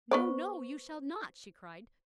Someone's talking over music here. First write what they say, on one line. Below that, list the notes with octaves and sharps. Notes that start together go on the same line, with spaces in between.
"No, no; you shall not!" she cried.
B3 B4 C5 D5 C#6